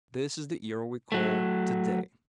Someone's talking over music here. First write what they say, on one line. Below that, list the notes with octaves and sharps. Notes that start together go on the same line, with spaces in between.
This is the era we call "to-day."
F#3 A3